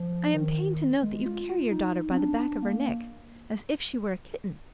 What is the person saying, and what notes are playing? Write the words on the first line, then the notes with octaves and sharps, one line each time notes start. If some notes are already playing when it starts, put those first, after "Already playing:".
I am pained to note that you carry your daughter by the back of her neck, as if she were a kitten.
Already playing: F3
D#3
G#3
F4
D#4
C4
D4
D4
A#3